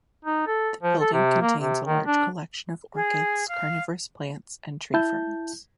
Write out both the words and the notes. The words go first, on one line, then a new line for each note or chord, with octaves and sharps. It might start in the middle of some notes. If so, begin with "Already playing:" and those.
The building contains a large collection of orchids, carnivorous plants and tree ferns.
D#4
A4
F3
A4
C3
A#3
C3
D#3
D4
G#4
F5
E4 A5 G6